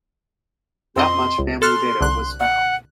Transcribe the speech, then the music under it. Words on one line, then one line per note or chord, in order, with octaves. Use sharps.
Not much family data was found.
F2 C4 D#5 C6
C#2
A4 C6 F6 F#6
C2 D3 F#6
F#5